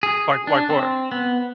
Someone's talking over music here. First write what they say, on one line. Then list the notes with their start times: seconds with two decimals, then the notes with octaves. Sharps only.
like like what?
0.03 G#4
0.47 D4
0.70 C4
1.12 B3